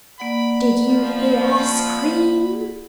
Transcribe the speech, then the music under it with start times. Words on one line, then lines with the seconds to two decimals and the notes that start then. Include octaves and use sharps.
Did you hear her scream?
0.20 A#3 D5 F#5 B5
0.86 F3